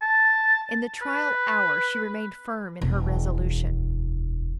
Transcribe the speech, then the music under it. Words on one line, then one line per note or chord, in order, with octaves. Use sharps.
In the trial hour, she remained firm in her resolution.
A5
B4
E1 D2